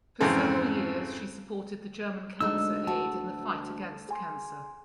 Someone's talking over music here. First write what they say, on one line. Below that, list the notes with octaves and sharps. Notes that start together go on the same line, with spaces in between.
For several years she supported the German Cancer Aid in the fight against cancer.
F2 G#2 C#3 E3 C4 A4
D2 G#3 D4 D#4 E6
F#4 A5
G#4 G#5 C6